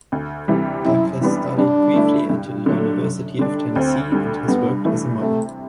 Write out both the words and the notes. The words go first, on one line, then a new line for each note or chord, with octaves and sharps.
Douglas studied briefly at the University of Tennessee and has worked as a model.
D2
C3 E3 G3
F#2 E4
E3 G3 B3 D4
G2 D4
D3 A3 E4
G2
D3 F#3 A3
F#2
D3 G3 D4
D2 C4
D3 G3
G2 B3
E3 A3
C3 A3